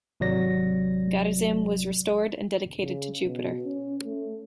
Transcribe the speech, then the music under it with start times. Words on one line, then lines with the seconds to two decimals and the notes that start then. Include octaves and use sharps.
Garizim was restored and dedicated to Jupiter.
0.20 G#1 C3 F#3 D5 A#6
2.82 C#3
3.24 B2
3.65 C#4
4.05 A3